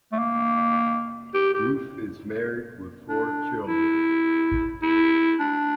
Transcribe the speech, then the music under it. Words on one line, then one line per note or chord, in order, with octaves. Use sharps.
Ruth is married with four children.
A3
A#3
G4
G4
D4
E4
E4
D4